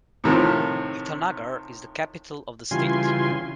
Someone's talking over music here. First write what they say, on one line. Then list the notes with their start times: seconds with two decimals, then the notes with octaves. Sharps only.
Itanagar is the capital of the state.
0.24 A2 C3 D#3 F3
2.71 C#3 E3 G3 F4 G#5 C6